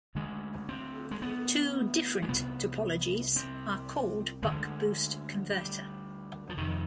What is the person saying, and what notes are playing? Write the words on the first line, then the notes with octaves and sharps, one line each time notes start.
Two different topologies are called "buck-boost converter".
D2 D3 G#3
C4
G#3
B3
G#3
C2 C3 B3
C4
D2 D3 G#3
G3
F3
F2 C3 D#3